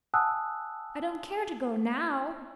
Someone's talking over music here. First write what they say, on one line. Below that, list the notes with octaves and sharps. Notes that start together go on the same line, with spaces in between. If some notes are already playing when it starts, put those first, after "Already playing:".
"I don't care to go now."
F#5 G#5 A5 D#6 E6 F#6